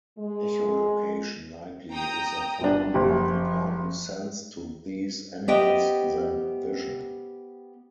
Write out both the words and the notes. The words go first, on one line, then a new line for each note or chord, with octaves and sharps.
Echolocation likely is a far more important sense to these animals than vision.
G#3
G5 A#5 D#6
G1 D4
F#1 F3 G4
B3 G4 C5 D#5 E5 G5